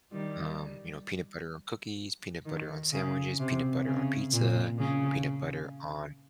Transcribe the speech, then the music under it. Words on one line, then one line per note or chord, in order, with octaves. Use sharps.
Um, you know, peanut butter on cookies, peanut butter on sandwiches, peanut butter on pizza, peanut butter on
D#3 G3
D#3
C#3
C3
C#3
A#2
C#3